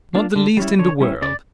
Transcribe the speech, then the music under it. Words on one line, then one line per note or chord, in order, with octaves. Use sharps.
"Not the least in the world."
A#3 D4 F4
D3
G3 C#4 E4
D3 C#5
G3 C#4 E4
C#3 D5